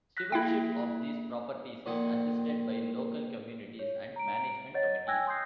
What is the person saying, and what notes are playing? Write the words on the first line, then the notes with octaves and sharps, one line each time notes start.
Stewardship of these properties is assisted by local communities and management committees.
F#6 A#6 B6
A#3 E4 F5 G5
F2 A#2 D#3 F#5 D#6
C#5
A#5 D7
C#5 D#5 F#5 A6
G5 G#5 E6 F#6 G#6 A#6
C6 D#6 G6 C7